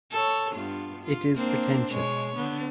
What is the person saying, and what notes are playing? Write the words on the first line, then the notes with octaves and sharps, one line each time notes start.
It is pretentious.
A4 C#5
G2 B3 F4
F4
A#3 C4 D4
B2 G#3 C#5
D3 B3